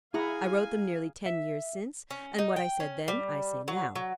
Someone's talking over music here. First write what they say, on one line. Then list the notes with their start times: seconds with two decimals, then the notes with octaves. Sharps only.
I wrote them nearly ten years since; and what I said then, I say now.
0.14 E4 G#4 F5 F#5 G#5 A#5
1.26 E5
2.11 C#4
2.38 D#4
2.56 G5
2.80 C#4
3.08 G3
3.68 F#3
3.96 F#3